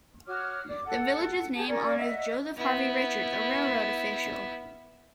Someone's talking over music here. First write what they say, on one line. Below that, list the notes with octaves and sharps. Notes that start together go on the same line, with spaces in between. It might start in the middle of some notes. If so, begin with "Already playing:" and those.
The village's name honors Joseph Harvey Richards, a railroad official.
F#4 C#5 D6 F6
D5 D6
A4 F#5
G4 G#4 A5 D#6
C#4 A#4 D5 C#6
D#5 E5 F#5
B3 E4